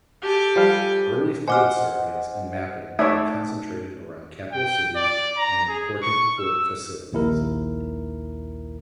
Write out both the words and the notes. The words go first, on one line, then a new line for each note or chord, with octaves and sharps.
Early field surveys and mapping were concentrated around capital cities and important port facilities.
G4 A4 G#5
F3 G3 F5
C5 D#5 F#5 G#5 D6 F6
A3 D#4 C#5 D5 E5 A5
G5
D5
A#5
G#4
C#6
E6
A#1 D#2 E4 A#4